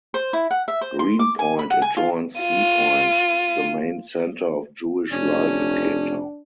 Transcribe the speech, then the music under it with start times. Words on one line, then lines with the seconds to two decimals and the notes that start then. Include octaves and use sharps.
Green Point adjoins Sea Point the main centre of Jewish life in Cape Town.
0.14 C5
0.33 E4
0.51 F#5
0.68 E5
0.81 C5
0.99 C6
1.19 D6
1.39 G#5
1.59 B5
1.70 F#5
1.82 G#5
1.97 F4
2.41 F4 D#7
5.12 F1 C#4 D4